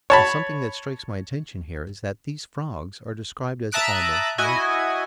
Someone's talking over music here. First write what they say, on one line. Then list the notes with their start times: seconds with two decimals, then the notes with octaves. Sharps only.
And something that strikes my attention here is that these frogs are described as almost white.
0.10 C#5 A5 B5
3.72 E5 A5 A#5 D#6 F#6 D7
4.38 E4 F#4 D#5 G#5